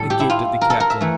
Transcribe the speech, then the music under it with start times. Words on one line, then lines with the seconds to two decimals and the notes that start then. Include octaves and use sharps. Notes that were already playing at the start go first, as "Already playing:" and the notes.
I gaped at the captain.
Already playing: A2 G3 A4
0.10 G4
0.20 E4
0.30 F4
0.61 A#4
0.70 A4
0.80 A#4
0.90 E5
1.01 E3 A3